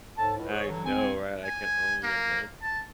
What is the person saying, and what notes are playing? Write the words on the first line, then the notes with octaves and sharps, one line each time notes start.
I know, right, I can only imagine.
G#2 A4 C#5 A5
C#2 A2
G#4 C#5
D3 E3 F#3
C2 C4 G#5
G#5
A#3
A5